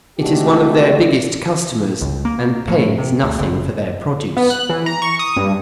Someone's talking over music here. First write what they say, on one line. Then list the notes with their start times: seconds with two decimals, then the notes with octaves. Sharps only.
It is one of their biggest customers, and pays nothing for their produce.
0.19 C3 G#3 A3 D4 F#4 G4
2.01 C#2
2.25 A#3
2.68 A2
2.98 C3
3.23 D2
3.39 F#1
4.37 B3
4.50 F#6
4.69 E3
4.86 A#5
5.02 C#6
5.19 D#6
5.36 G2